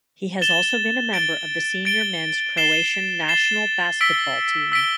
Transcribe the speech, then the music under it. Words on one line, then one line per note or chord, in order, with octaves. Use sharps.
He has also been a member of the senior men's Croatian national basketball team.
A6 E7 G7
A6 D7 G7
A6 D7 G7
A6 C7 E7 G7
A6 C7 E7 G7
E6 B6 D7 G7
E6 B6 D7 G7